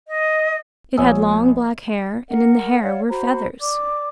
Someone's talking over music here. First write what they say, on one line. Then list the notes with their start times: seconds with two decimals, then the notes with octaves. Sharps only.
It had long black hair, and in the hair were feathers!
0.07 D#5
0.97 A#1 C#5 G#5 D#6 E6
2.30 A#4 F#5
2.82 C#5 D5 F5 F#5
3.09 F#4 C5 A#5 B5
3.61 D5 D6